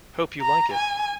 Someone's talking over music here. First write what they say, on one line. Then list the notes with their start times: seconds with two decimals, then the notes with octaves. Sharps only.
Hope you like it.
0.41 A#5
0.74 G#5